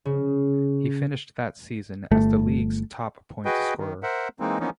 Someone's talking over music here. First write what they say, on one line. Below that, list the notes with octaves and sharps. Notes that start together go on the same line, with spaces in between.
He finished that season as the League's top point scorer.
C#3
G1 A3
F#4 G#4 B4 D#5 G5
D#3
A#4 C5 E5 F#5
E3 G#3 A#3 C4 D#4
E3 F3 A#3 B3 C#4 D#4